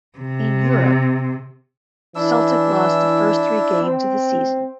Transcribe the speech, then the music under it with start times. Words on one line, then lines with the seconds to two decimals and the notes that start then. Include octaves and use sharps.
In Europe, Celtic lost the first three games of the season.
0.18 C3
2.15 E3 D4 E4 E6
3.82 C4